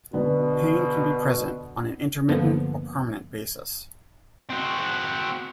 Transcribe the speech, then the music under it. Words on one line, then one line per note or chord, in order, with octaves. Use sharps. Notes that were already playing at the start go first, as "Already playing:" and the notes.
Pain can be present on an intermittent or permanent basis.
B2 D3 B3
G2 D3 F3 A#3 B3
C4 F#4